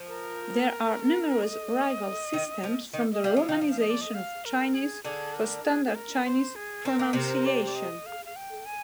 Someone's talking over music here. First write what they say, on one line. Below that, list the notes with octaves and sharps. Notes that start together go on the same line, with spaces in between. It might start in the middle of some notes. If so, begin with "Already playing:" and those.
There are numerous rival systems for the Romanization of Chinese for Standard Chinese pronunciation.
Already playing: F3
A#4
D#5
D#3
F3
D#3
D#5
G3 F5
F3
D#3
F3
F5
D#5
D5
D#5
F5
A#4
G#4
D3 D4 G#4
A#4
G#4
G#4
A#4
C5
G#4
C4 A#4
A#3
C3 C4 A#4
D5
D5
D#5
F5
F5
G5
G#5